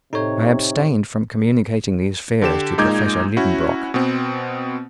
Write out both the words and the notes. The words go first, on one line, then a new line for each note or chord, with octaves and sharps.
I abstained from communicating these fears to Professor Liedenbrock.
A2 C3 D#4 A4 C#5
D3 G4 E7
A#2 G#3 D#4 D6 G6 G#6
C#4 E4 F#4
B2 B3 C4